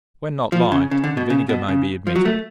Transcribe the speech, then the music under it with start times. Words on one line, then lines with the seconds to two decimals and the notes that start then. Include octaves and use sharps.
When not liked, the vinegar may be omitted.
0.52 F3
0.72 C#3
0.91 C#3
1.04 D3
1.17 B2
1.30 C#3
1.49 B2
1.68 C#3
2.07 F3
2.16 F#3
2.25 A3